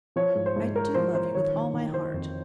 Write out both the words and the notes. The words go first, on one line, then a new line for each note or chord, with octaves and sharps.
I do love you with all my heart.'
F3 C#5
G#2
C5
G#2
G#2 A#4
F3 C5
F3 C5
D#3 C#5
D#3
D#3
D#3 C5
F2